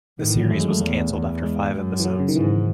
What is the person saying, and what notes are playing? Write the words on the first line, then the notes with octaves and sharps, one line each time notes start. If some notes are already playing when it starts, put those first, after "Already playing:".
The series was canceled after five episodes.
A2 D#3
E3
F#3
F#2 A3
G#3
A3
E2 A3
E2
G#3
F#2
E3
F#3
C#3
D#3
G#2 E3